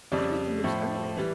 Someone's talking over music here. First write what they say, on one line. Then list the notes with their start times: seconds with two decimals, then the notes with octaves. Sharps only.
'I heard the news early.
0.11 F2 C#3 G3 D5
0.64 A2 F3 A3
1.17 E3 G3